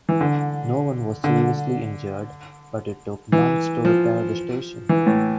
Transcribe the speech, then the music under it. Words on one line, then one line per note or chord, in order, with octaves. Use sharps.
No one was seriously injured, but it took months to repair the station.
E3
D3
D3
E3
F3
E3
A2